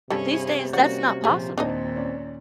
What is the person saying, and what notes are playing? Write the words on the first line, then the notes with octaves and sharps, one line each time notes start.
These days, that's not possible.
G2 C3 G3 C#4 G#4 A4
G3 A#3 C#4 F#4 C5 D5 F#5
A#2 F3 G4 G#4
D#2 A#2 C4 D4 D#4 D#5
C#4 D5